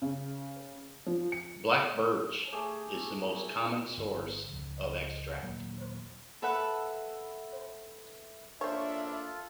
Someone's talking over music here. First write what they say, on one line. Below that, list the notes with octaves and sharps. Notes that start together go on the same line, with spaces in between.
Black birch is the most common source of extract.
C#3
F3
C#7
A3 G4 G#4
G1
C#2 F3
D#1 F#3 A#3
A4 B4 E5 F#5 B5 F#6
A#3 D4 F4 A4 C5 C#5 E5